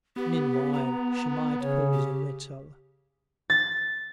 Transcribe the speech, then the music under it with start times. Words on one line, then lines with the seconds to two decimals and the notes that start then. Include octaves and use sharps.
Meanwhile she might pause a little.
0.16 B3 G4
0.73 A#5
1.59 C#3 C#5
1.92 G4
3.50 A6